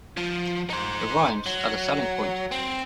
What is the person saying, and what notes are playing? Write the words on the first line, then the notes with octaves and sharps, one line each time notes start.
The rhymes are the selling point.
F3
D#4 C5
F#3
C4